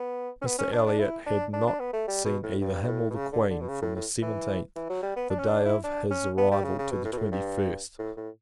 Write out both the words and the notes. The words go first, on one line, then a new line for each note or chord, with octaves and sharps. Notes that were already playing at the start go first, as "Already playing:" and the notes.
Mr. Elliot had not seen either him or the Queen, from the seventeenth, the day of his arrival, to the twenty-first.
Already playing: B3
C#4
B3
C#4
D4
D4
E4
D4
D4
D4
B3
A3
G3
B2
A2
G2
G2
A2
B2
C#3
D3
D3
B2
C#3
A2
A2
E3
E3
F#3
G3
B3
D4
C#4
D4
E4
D4
C#4
B3
G3
C#3
C#3
B2
A2
B2
A2
G2
A2
A2